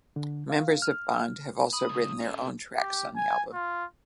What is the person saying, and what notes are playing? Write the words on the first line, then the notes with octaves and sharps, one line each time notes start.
Members of Bond have also written their own tracks on the album.
D3
F5
F6
B5 D#6
C#3 G#3
C#4 A4
G4
G#5
F4